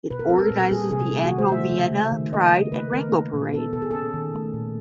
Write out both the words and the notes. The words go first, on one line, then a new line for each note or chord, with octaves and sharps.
It organises the annual Vienna Pride and Rainbow Parade.
B2 B4
A#4
C4 A4
A#4
A#2
G3 G#4
C3 G#4
A3
F#4
D#3
C5
A3 E5
C#3
A3
D#3
A#3 D#5
C#3
A3 B4
D#3 A#4
A#3
A#2
B3 A4
B2 A4
G#4
C#4 A4
D#3
A3
A#2